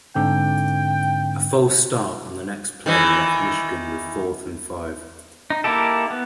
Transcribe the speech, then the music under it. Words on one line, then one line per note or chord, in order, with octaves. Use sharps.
A false start on the next play left Michigan with fourth and five.
G#2 D3 C4 G5
D#3 E3
D#4
A#3 D#4 E4 G4 A4
B3